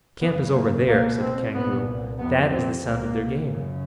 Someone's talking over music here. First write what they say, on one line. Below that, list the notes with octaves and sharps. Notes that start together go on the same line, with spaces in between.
"Their camp is over there," said the Kangaroo, "that is the sound of their game."
F#2 C#3 B3
A#3
C#2 B2 A#3
C4
C2 A#2 B3
F2 C3 B3
C4
C#2 B2 A#3
F#2 C#3